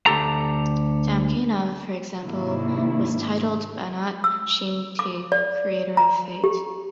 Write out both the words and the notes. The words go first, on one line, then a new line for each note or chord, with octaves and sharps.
Damkina, for example, was titled "banat shimti", "creator of fate".
D2 G4 A4 A#5
G#2 C3 D#3 A#3 D4 E4
E6
D6
D5
A#5
G4